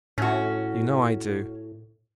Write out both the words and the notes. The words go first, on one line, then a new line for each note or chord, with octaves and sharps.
"You know I do."
A2 C#4 F#4